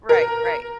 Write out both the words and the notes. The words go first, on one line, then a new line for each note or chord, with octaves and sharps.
Right, right.
A#4